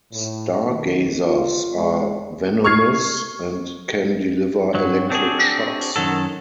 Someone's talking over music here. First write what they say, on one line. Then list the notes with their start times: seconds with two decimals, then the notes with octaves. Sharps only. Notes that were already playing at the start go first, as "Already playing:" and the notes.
Stargazers are venomous and can deliver electric shocks.
0.12 A2
0.67 D#3
1.22 F4
1.75 G#3
2.64 C#6 F6 G#6 C7
4.74 G2 F#3
5.10 C4 D4 F#4 G#4
5.96 F#2 D#3 F#3 A4